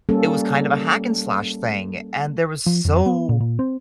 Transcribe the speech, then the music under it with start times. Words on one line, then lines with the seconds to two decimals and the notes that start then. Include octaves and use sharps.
it was kind of a hack and slash thing, and there was so
0.09 G3 A#3 C#4 A4
2.66 F3
2.85 F2
3.06 B3
3.29 A#2
3.40 A#2
3.59 C4